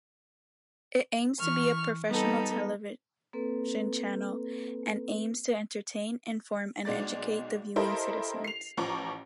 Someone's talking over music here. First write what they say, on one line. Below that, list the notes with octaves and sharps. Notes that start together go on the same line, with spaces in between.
It aims to be a professional television channel and aims to entertain, inform and educate the viewing citizens.
E3 C#6 F6
G3 B3 D#4 A4
A#3 C4 A4 B4
B1 G#3 D5 A6
E4 G4 A4 A#4 C5 D#5
C7 F7
A1 F3 A#5 C#6 D6